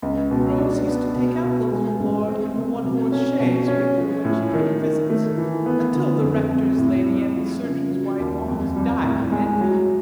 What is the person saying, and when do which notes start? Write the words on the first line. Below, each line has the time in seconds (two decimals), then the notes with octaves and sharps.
Rose used to take out the little Lord in the one-horse chaise with her when she paid visits, until the Rector's lady and the Surgeon's wife almost died with envy.
0.02 C#2
0.31 B2
0.58 D4
0.87 B3
1.15 B2
1.44 B2
1.72 G#3
1.99 A1
2.28 C4
2.56 C3
2.84 B2
3.12 C#4
3.40 B2
3.68 C#4
3.97 F3
4.25 A2
4.54 D#3
4.82 D#3
5.10 A3
5.37 E3
5.66 B3
5.93 D3
6.22 F2
6.50 F2
6.78 A2
7.06 G3
7.35 F3
7.63 C#3
7.91 F#3
8.19 D#2
8.48 F2
8.76 G3
9.04 A2
9.32 G#3
9.61 F#3